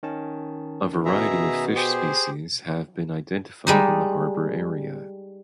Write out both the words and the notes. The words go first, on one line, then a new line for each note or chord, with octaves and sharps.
A variety of fish species have been identified in the harbor area.
D#3 C#4 A5
B2 G#4 E5 A#5
G4 G#4 C5
G3 G#3 D#4